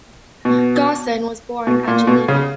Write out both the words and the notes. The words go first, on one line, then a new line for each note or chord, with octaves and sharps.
Gaussen was born at Geneva.
B2
B2
A#2
B2
C#3